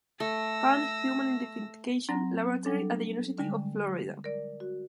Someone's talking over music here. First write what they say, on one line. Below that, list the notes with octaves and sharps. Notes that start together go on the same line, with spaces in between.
Pound Human Identification Laboratory at the University of Florida.
A3 E6 A#6
F#3 C4 A#5 A#6
F#3 G3 D4 A4
D3 G3 G#3
A#4 D5
F#4